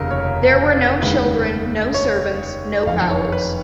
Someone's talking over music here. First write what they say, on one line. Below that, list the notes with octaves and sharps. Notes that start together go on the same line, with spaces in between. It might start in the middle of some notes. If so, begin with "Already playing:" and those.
There were no children, no servants, no fowls.
Already playing: F1 D#2 C#3 A#4
C#5
D#2 C#3 G#3 B4
C#5
F#1 F2 D#3 F5
C#5
C#5
B4